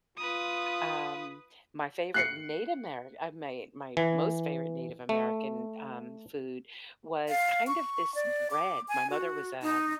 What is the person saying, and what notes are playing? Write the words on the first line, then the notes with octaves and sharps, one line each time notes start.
Um, my favorite Native Amer uh, may my most favorite Native American, um, food was kind of this bread my mother was, um,
F4 B4 D#6
F#6 C7 C#7
E3
A3
F5
C#6
D5
D6
G#5
F#4
D#4